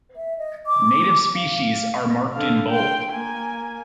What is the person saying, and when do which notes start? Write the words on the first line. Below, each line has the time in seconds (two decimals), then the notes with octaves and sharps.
Native species are marked in bold.
0.16 E5
0.38 D#5
0.67 D6
1.35 F5
2.32 D3 F5
2.70 G5 C6
3.12 A#3 G#5